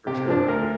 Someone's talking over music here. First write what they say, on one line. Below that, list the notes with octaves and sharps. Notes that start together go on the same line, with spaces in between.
For sure.
C3 G4
F3 D4
D2 A#4